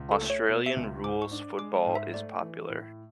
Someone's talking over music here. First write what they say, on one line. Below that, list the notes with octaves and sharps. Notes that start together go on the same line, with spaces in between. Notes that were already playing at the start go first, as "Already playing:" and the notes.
Australian rules football is popular.
Already playing: C#2
A4
A3
C#5
B2
E5
C#2
G#2 D6
C#6
D4
G#3 D6
G#2
E5
A3 D5
E3
A2